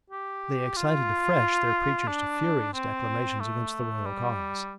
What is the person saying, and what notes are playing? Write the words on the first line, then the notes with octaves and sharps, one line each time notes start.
They excited afresh their preachers to furious declamations against the royal cause.
G4
F4
D4
C4
A3
G3